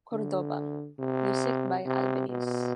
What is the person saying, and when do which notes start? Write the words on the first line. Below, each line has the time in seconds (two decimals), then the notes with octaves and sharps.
Cordoba, music by Albeniz.
0.12 D3
0.99 C3
1.85 C3
2.29 B2